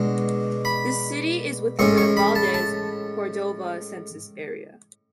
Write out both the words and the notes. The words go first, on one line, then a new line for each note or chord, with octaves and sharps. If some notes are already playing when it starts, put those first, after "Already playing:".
The city is within the Valdez-Cordova Census Area.
Already playing: B2 G#3 D4
B5
A2 G#3 C#4 C#6
C#6
B5
A5
A5